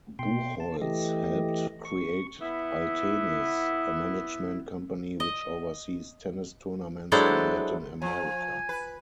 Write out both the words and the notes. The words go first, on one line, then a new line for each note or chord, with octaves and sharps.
Buchholz helped create Altenis, a management company which oversees tennis tournaments in Latin America.
B2 G5 C6
A5
E3 A3 G4 D#5
C#6
B3 E4
D#5
F#3 G#3 D4 E4 A4 C5
F3 G#5
B4